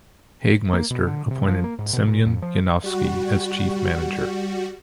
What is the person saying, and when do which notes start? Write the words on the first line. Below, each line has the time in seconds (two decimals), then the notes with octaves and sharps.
Hagemeister appointed Semyon Yanovsky, as Chief Manager.
0.73 A#3
0.91 B2
1.07 D3
1.31 C3
1.48 F3
1.64 A#3
1.79 G#2
1.93 B2
2.07 A#2
2.26 F2
2.42 F3
2.84 G3 F#4